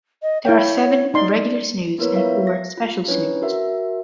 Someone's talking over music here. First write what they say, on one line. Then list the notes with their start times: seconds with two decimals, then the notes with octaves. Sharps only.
There are seven regular Snoods and four Special Snoods.
0.22 D#5
0.45 E4 C#5 F5 G5
1.14 D#4 D5 C6
1.98 A#3 B3 E4 A#4 B4 C#5
2.15 F4 C#5 E5 F5
2.47 A#6
2.78 F4
3.08 C#4 D4 E4 B4 C#5
3.42 F#4 A#4 E5